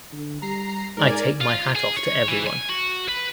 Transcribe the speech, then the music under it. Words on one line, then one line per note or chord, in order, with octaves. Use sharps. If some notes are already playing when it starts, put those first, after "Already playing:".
I take my hat off to everyone.
D3
G3 A#5 C7
G#2 A#4 D5 G#5
F4
G#4
C#5
E3
G#5
F#4
B4